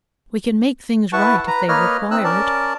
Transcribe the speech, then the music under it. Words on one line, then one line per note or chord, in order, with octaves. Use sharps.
We can make things right if they require it.
E4 B4 F#5 A5 C#6
B4 A#5
A#3 B4 C#5 D#5 F6
C4 D#4 E6 F#6
C#4 A#4 D5 A5